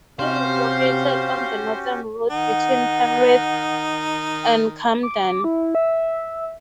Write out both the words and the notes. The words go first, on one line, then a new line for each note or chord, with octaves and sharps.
It is located on the Northern Road between Penrith and Camden.
C3 C#4 F#4 G4 C5 F5
D#3 D#4 F#5
D6
E4
E5